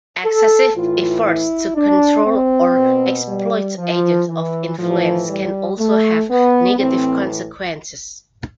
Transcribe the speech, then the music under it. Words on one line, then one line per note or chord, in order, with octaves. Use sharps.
Excessive efforts to control or exploit agents of influence can also have negative consequences.
A4
A2 E3 F4
E4
D4
C4
B2
G3
F3
E3
A2 E3 F3
G3
A3
B3
A2 E3 C4